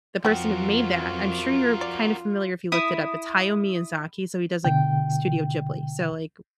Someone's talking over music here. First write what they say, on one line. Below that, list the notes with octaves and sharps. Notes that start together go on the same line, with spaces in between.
the person who made that, I'm sure you're kind of familiar if you looked it up, it's Hayao Miyazaki, so he does, like, Studio Ghibli, so, like,
F2 F#3 F4 F#4 A#4 G5
D5
E4 D#6
B2 D3 G5